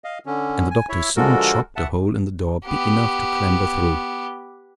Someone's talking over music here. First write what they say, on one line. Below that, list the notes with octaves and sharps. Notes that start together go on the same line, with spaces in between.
And the Doctor soon chopped a hole in the door big enough to clamber through.
D#5 F5
D3 C#4
G#5
E4 C#5 E5
D3 F3 G#3 F#4 A4 A#4
E5 F#5 A5
B3 G4